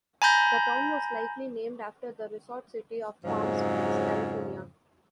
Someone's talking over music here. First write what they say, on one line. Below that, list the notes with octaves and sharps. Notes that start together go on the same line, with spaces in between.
The town was likely named after the resort city of Palm Springs, California.
G#5 A#5 B5 G6 A#6
F2 G#2 C#3 F3 F#3